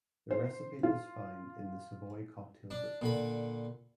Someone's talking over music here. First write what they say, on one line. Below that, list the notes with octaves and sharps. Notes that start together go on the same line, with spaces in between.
The recipe is found in "The Savoy Cocktail Book".
C5
F4
D4
A#2 D3 B5